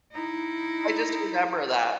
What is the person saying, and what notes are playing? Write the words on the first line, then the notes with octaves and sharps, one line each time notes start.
I just remember that.
D#4 E4